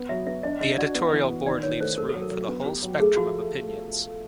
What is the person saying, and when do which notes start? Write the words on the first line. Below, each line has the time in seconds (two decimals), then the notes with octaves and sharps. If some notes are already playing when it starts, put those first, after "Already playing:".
The editorial board leaves room for the whole spectrum of opinions.
Already playing: B3
0.09 F#3 E5
0.27 B3 E5
0.43 D4 D#5
0.60 D4 D#5
0.78 F#4 D5
0.95 B3
1.12 E3
1.29 B3
1.46 D#3 D5
1.63 D#3 C#5
1.80 A3 C5
1.97 A3 A#4
2.09 A4
2.14 F#3
2.22 A#4
2.31 F#3
2.48 B3
2.66 G4
2.83 F#3
2.99 A3 G#4
3.17 F3 F#4